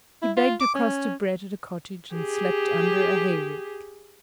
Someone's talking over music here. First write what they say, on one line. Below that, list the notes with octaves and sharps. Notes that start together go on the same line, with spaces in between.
He begged a crust of bread at a cottage and slept under a hayrick.
E4
F4
D6
C#4
G4 G#4